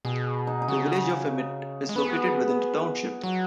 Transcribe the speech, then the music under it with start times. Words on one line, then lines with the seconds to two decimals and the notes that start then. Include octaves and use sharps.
The village of Emmett is located within the township.
0.05 B2 G#4
0.47 D#4
0.62 D#4
0.68 C#3 F#4
1.89 G#3
1.96 B3 B4
2.04 G#4
2.10 F#4
2.18 G#4
3.24 F#3 F#4